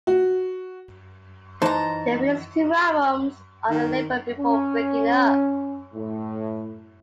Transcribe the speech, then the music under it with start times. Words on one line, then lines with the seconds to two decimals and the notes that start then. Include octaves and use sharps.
They released two albums on the label before breaking up.
0.07 F#4
1.62 E3 D#4 C5 A5 A#5
3.70 D#3
4.38 C#4
5.95 A2